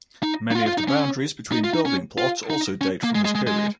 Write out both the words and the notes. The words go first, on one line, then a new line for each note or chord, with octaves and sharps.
Many of the boundaries between building plots also date from this period.
D#4
D#4
F4
F4
D#4
C#4
D#4
F4
D#4
C#4
F4
D#4
C#4
A#3
G#3
G#3
G#3
G#3